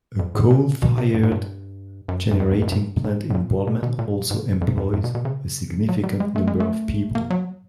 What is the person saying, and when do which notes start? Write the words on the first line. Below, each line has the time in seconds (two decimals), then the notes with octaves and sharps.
A coal-fired generating plant in Boardman also employs a significant number of people.
0.19 F2
0.35 A2
0.50 A#2
0.82 B2
0.98 C3
1.14 G2
1.23 G#2
1.32 G2
2.08 F#2
2.31 F#2
2.40 F2
2.51 E2
2.62 F2
2.67 F#2
2.72 G2
3.04 G#2
3.30 A2
3.35 A#2
3.67 B2
3.83 B2
3.99 A#2
4.31 G#2
4.61 F2
4.77 F2
4.93 F#2
5.04 B2
5.15 B2
5.25 C#3
5.89 F#3
6.03 G3
6.20 G#3
6.36 A3
6.47 G#3
6.60 A3
7.15 A#3
7.30 F#3